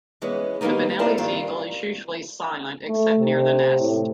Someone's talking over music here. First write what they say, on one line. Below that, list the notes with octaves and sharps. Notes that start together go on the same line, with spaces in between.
The Bonelli's eagle is usually silent except near the nest.
E3 G#3 B3 C#4
D#3 G3 G#3 A#3 B3 D#4
C4 D4 E4 F4 A4 A#4
G2 D#3 F4
A3
C3
A2